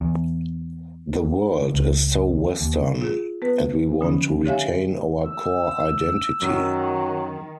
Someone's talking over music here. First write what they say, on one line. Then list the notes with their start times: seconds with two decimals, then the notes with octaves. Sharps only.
The world is so Western, and we want to retain our core identity.
0.01 E2
1.74 C#2
2.61 D#2
3.01 F4 G#4
3.42 B3 B4
4.01 D3 F3 C#4
4.45 G4 C#5 E5 F5 G#5
5.25 E6
6.42 F#2 D#3 F#3